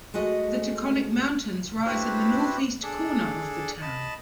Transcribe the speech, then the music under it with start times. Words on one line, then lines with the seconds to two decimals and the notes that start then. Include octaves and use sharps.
The Taconic Mountains rise in the northeast corner of the town.
0.14 G#3 A3 F#4 D#5
1.85 D4 E4 F#4 G4 B4 C5
2.83 D4 G#4 A4 D5
3.82 D#5 A5 B5